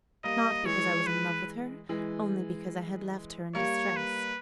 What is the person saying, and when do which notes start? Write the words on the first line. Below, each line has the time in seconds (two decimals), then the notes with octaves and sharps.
Not because I was in love with her; only because I had left her in distress.
0.24 G3 A#3 D#5
0.65 E3 G#3 C#5
1.06 B4
1.89 E3 G#3
3.54 G3 A#3 C#5
3.96 B4